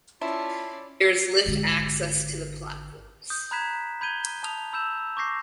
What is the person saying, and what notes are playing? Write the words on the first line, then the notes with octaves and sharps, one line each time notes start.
There is lift access to the platforms.
C#4 E4 F4 D5 A5
G#1 D3
D#6 G6
A#5 B5 F#6 G#6 B6 E7
B5 G6 G#6 D#7 G7
A5 D#6 F7
B5 E6 G6 E7
C#6 D6 G6 A#6 C7